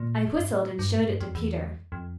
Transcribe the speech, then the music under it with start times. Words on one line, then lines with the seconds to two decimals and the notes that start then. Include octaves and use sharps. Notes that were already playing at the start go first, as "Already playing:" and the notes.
I whistled and showed it to Peter.
Already playing: A#2
0.26 F2
0.38 G2
0.50 A2
0.79 G2
0.98 A2
1.06 G2
1.21 F2
1.35 E2
1.92 F2